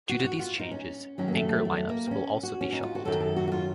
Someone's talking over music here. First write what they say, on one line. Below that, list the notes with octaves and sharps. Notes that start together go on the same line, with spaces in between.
Due to these changes, anchor lineups will also be shuffled.
F#4
F#4
F4
D#4
C#4
F#2 D#3 F#3 C#4
A#3
A3
A3
A3
A#3
C4
C#4
F#4
C#4
D#4
F4
F#4
F#2 D#3 F#3 A4
A4
F#4
F#4
F4